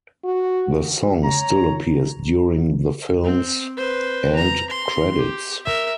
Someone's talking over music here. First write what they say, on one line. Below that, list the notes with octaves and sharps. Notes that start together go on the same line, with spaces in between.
The song still appears during the films end credits.
F#4
C#5 A#5
C4
B4 C5
A#5
C6
G4
A#4 E5